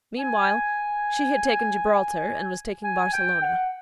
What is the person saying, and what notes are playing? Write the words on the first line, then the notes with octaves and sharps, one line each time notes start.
Meanwhile, she had taken Gibraltar, and was taking Barcelona.
G#5
G#5
G5
F#5